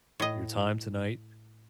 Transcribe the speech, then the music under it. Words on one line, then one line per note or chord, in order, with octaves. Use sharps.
your time tonight,
A2 D#5